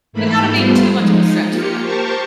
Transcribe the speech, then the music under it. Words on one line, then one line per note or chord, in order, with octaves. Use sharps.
without it being too much of a stretch for them.
G#2 E3 A3 A#3 B5
G3 A3 B3 F4 C5
F3 G#3 D#4
A#3 F4 G4 C#7
G4 A#4 C5 A5 C#6